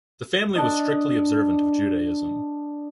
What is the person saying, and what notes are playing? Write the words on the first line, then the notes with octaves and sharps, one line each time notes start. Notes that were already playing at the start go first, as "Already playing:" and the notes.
The family was strictly observant of Judaism.
D4 D#5